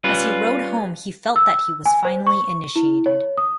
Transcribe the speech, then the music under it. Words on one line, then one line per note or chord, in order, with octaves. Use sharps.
As he rode home he felt that he was finally initiated.
G3 C#4 F4 B4
E6
G#5
C5
C#6
E4
C#5
D#6